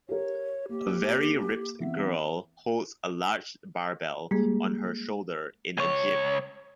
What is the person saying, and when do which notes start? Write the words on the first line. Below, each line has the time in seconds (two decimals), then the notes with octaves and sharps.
A very ripped girl holds a large barbell on her shoulder in a gym.
0.09 G4 A#4 C#5
0.69 A#3 G4
1.80 E3 B3 C4 E5
4.31 G3 G#3 A#3 G#4
5.77 C#2 C#5